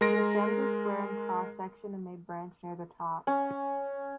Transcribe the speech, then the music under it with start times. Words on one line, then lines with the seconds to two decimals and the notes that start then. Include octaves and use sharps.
The stems are square in cross-section and may branch near the top.
0.01 G#3 A#4 C6 A#6 D7
3.27 C#4